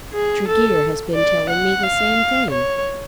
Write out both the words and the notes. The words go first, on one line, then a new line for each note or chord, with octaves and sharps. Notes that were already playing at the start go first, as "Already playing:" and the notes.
"Tregear has been telling me the same thing."
G#4
A4
D5
F#5
F5
C#5